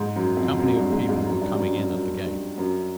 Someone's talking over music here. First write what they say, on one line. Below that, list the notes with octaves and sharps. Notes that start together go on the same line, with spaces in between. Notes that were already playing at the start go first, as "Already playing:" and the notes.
A company of people were coming in at the gate.
Already playing: G#2
F#2
F2
F#2
G2
G#2
G#2
F#2
G2
G2
F#2
F#2
F#2
G2
F#2